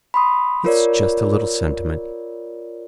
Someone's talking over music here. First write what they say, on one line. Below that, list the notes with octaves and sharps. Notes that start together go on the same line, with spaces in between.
It's just a little sentiment....
B5 C6 D#6
F4 A#4 C#5 D5